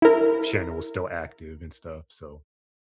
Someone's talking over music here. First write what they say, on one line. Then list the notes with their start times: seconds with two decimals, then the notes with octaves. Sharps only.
channel was still active and stuff. So,
0.02 E4 A#4